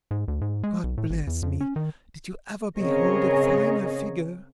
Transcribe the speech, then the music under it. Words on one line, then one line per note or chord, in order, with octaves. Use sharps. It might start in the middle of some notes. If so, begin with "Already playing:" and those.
"God bless me, did you ever behold a finer figure?"
G#2
D2
G#2
G#3
B1
A2
G#1
E2
F2
C#4
D#3
C#3 C4 G#4 A#4 C#5 D#5